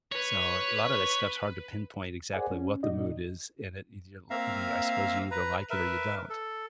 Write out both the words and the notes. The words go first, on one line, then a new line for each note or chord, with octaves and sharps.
So, a lotta that stuff's hard to pinpoint exactly what the mood is, and it either ya either ya I suppose you either like it or you don't.
B4 C#5
G#4 A#4 C5 D5 F#5 G#5
C#4
A#2 D#4 F#4 D5 D#5
A#3 C4 E5 F5 A#5
B4 A#5
A#4 B4 E5
A4